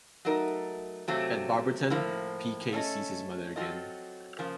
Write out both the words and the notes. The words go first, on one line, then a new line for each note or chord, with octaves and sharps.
At Barberton, Peekay sees his mother again.
F#3 A3 D#4 A#4
C3 F#3 A3 C4 F4
A2 F3 A#3
A3 C#4 A4 D#5
F#3 C4 F4 A4 D#5
C#3 F3 A#3